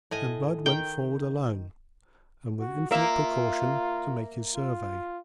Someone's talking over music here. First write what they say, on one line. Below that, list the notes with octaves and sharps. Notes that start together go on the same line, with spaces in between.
Then Blood went forward alone, and with infinite precaution, to make his survey.
A2 D#5 G#5
D#3 G5
F#4
A#3 F4 E5
F4